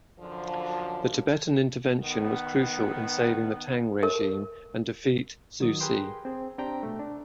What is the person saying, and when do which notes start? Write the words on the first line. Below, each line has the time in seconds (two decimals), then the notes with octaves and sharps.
The Tibetan intervention was crucial in saving the Tang regime and defeat Zhu Ci.
0.20 F#2 D3 F3
1.99 D#3 B3
4.03 A#4
5.60 D#3 F#3 D#6
5.81 G4 G#4 A#4 B4 G5 C6
6.25 C4 G#4
6.58 C4 D4 G4 G5 A#5
6.83 B2 A3
6.99 D4